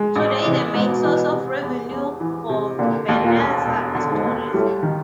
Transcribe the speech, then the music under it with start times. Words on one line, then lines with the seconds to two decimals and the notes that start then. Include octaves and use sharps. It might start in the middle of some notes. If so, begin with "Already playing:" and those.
Today the main source of revenue for Vernazza is tourism.
Already playing: G#3
0.16 A1 B2
0.45 C3 E3
0.74 G#2 B2
1.04 E3
1.32 C3
1.62 E2
1.91 E2
2.20 E3
2.49 C3
2.79 A#2 D3
3.08 D#2
3.23 A#2
3.37 E1
3.66 E1
3.95 D3
4.10 G#2
4.25 D#2
4.54 A2 G3
4.83 D#3